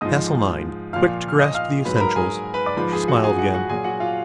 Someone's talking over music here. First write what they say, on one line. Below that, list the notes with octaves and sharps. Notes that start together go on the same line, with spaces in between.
"Facile mind--quick to grasp the essentials." She smiled again.
G#2 F3 D#5 D#6
A#2 F3 F5 F6
F6
D#5 D#6
F5 F6
G#2 F#3 B4 B5
B5
A#4 A#5
G#4 G#5
B4 B5
D5 D6
G#2 F3 B4 B5
G#4 G#5
F#4 F#5
G#4 G#5
F#4 F#5
F#4 F#5
A#2 F#3 G#4 G#5
F#4 F#5
F4 F5